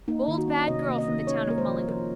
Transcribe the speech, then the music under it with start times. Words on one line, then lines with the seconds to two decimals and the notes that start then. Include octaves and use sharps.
Bold bad girl from the town of Mullingar.
0.08 A#3 D#4
0.28 D#3
0.38 F#4
0.48 C#4
0.68 C3 D#5
0.88 A#3
0.98 D#5
1.07 D#3
1.27 C#4 C#5
1.47 A#3 A#4
1.58 C5
1.68 F3
1.87 F3 A#4